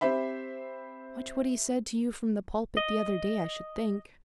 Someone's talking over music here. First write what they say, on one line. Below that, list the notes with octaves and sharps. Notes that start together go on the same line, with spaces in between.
"Much what he said to you from the pulpit the other day, I should think."
C4 G4 C5 E5 B5
D#5